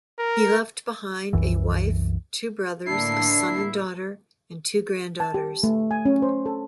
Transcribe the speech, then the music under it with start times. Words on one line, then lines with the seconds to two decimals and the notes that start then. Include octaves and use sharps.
He left behind a wife, two brothers, a son and daughter, and two granddaughters.
0.19 A#4
1.33 C2 F#2 E3
2.87 A2 D3 A#3 D4 E4 C7
5.20 A5
5.34 G4
5.63 A3
5.91 G#5
6.05 C#4
6.22 C5
6.46 A4